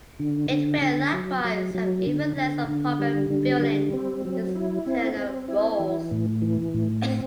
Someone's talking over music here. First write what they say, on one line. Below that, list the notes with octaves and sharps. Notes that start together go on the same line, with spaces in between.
It will likewise have even less of a problem filling its internal roles.
D3
D3
D3
F#3
F#3
F#3
D3
D3
D3
G3
D3
G3
C4
F#3
E4
C4
C4
E4
E3
A2
E3
A2
C4